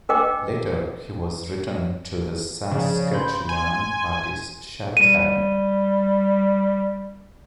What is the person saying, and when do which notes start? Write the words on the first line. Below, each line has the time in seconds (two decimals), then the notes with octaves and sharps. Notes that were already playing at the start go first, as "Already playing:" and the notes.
Later he was returned to the Saskatchewan Party's shadow cabinet.
0.09 D4 A#4 B4 D#5 G5 D6
2.72 C#3 F3 G#4 D5
3.13 B5 C6 G6
3.49 G#5 C6
4.97 G3 D#7